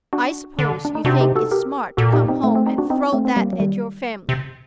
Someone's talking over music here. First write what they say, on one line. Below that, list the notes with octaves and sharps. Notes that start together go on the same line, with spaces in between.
"I suppose you think it's smart to come home and throw that at your family!"
D4 F#4
D3
D4
D#4
C3 D4 F#4
D#4 G4
F#4 A4
G4 A#4
A#2 F#4 A4
D#4 G4
C4 D#4
A3 C4
A3 C4
C4 D#4
D4 F#4
C4 D#4
A3 C4
C4
G3 A#3
F#3
D#3 G3
C3